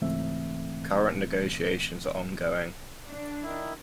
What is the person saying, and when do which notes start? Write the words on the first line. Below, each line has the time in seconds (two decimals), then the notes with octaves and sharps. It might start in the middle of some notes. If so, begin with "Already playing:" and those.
Current negotiations are ongoing.
0.02 C#2 G#2 E3 A3 C4 E5
3.06 D4
3.43 D#3 E4